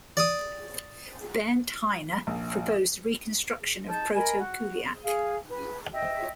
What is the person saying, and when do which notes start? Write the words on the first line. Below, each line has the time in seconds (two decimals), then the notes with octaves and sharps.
Bernd Heine proposed a reconstruction of Proto-Kuliak.
0.17 D5 D6 D#6
2.27 A#1
3.89 D#4 A5 G6
4.15 A#4 D#5 G#5 B5
4.39 F#4
5.03 G#4 F5
5.48 B4
5.93 D#5 E5 G5